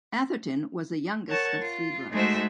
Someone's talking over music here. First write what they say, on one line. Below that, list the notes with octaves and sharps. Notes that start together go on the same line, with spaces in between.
Atherton was the youngest of three brothers.
A#4 C#5 F#5 A5 C#6
F4
G#3 A3 D#4 F#4 C5 E5